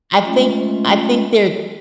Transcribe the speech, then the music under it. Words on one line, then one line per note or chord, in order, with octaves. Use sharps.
I think I think they're
G#3 A3 C#4 F4